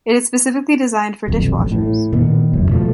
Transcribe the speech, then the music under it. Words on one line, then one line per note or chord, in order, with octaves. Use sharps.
It is specially designed for dishwashers.
D#1 B1 F2
A1
A2
A#2 D#3 B3
E1 C#2 F#2
B2 F3 A3